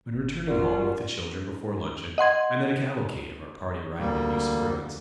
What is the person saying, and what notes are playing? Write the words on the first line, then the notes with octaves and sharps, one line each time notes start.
When returning home with the children before luncheon, I met a cavalcade of our party riding to view some ruins.
G1
F4 F#4 A#4 D5 F#5
D#5 F#5 C6 G#6
D2 G3 A#3